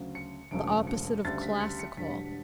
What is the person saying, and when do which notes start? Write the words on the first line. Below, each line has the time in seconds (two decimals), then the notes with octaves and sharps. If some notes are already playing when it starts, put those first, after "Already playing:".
"The opposite of classical."
Already playing: D2 C#3 F#3
0.15 C#7
0.51 E1 D2 C#3 F#3 A3 D7
0.87 C#7
1.25 D2 C#3 G3 A6
1.42 B6
1.60 C#7
1.79 C#7
1.97 E1 D2 D3 G3 B6